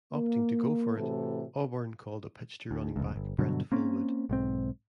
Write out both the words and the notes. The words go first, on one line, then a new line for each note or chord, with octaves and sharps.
Opting to go for it, Auburn called a pitch to running back Brent Fullwood.
A#3
A2 C3 E3 A3 F#4 A4
D2
F1 C#2
G1
G2 B2 D3 F#3
A#3 C4 C#4
B1 G#2 C4